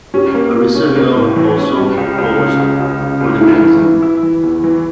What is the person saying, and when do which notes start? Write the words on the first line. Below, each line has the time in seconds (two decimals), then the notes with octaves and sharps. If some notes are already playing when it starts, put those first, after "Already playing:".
Arissa Hill also posed for the magazine.
0.14 C#4 G4
0.34 A#3
0.55 A#3
0.75 C#4
0.95 A#3
1.16 A2
1.36 E3
1.57 C#4
1.77 G3
1.98 C#2
2.18 C#2
2.39 C#3
2.59 C#2
2.80 C#2
3.00 C#3
3.21 C#2
3.41 A3 E4
3.61 E3
3.82 E3
4.02 E4
4.23 E3
4.43 E2
4.64 E3